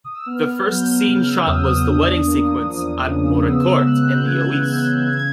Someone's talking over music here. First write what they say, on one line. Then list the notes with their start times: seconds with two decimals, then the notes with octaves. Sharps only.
The first scene shot was the wedding sequence at Maurecourt in the Oise.
0.04 D#6
0.15 E6
0.26 B3 F6
0.67 F#3 G6
1.06 C#3 F6
1.27 E6
1.46 E2 D#6
1.66 D#6
1.86 D4
2.27 A#3
2.66 F3
3.07 C#3
3.46 B3 E6
3.86 G#3 F#6
4.06 G6
4.26 E3 G#6
4.66 C#3 G6
5.06 C#3 G#6